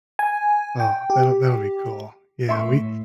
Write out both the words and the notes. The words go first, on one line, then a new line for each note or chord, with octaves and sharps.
Oh, that'll that'll be cool, yeah, we
G#5
G5
G4
A2 E5 C6 C#6